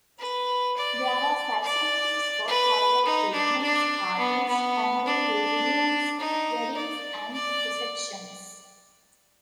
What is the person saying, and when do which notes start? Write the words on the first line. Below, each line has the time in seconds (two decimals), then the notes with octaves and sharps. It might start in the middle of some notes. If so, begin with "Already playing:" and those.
There are facilities for private picnics, parties, family reunions, weddings and receptions.
0.19 B4
0.77 D5
1.63 D5
2.47 B4
3.05 D#4
3.33 D4
3.63 D4
4.19 B3
4.48 B3
5.05 D4
6.19 D#4
6.76 D5
7.33 D5